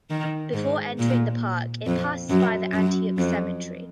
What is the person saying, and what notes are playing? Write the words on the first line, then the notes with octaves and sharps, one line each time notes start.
Before entering the park, it passes by the Antioch Cemetery.
D#3
G#2
A#2
F2
F#2
F#2
F2